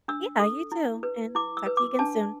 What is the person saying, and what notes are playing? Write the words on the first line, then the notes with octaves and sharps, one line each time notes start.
Yeah, you too, and talk to you again soon.
D4 E6
A4
E4
B4
E4 D6
E6
B4
D6
D4 A5